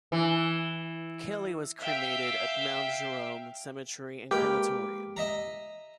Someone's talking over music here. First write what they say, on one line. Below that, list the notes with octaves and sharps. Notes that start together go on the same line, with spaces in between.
Kelly was cremated at Mount Jerome Cemetery and Crematorium.
E3
E5 F5 G5
G#3 A#3 G4 B4 G5 F6
D#5 E5 A#5